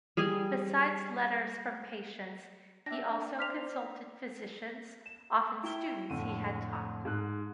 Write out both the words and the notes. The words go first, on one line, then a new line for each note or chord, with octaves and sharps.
Besides letters from patients, he also consulted physicians, often students he had taught.
G3 G#4 D#5 G#5
D4 E5 G5 A#6
C5 D5 F6 B6 F7
E7
E4 G5 G7
F2 A2 D3 D#7
G#2 F#6